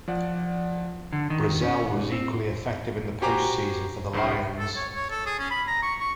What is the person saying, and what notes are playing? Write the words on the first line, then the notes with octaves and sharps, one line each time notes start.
Brazzell was equally effective in the post-season for the Lions.
F3 D5 F#5
D3
D#3
C#4
G#2
C4
F#4 G4 C5 G#5 A#5 D6
C2 G2 G3 C5 C7
A4
C#5
C#5
A4
G#4
C#4
B5
A#5
C#6
C#6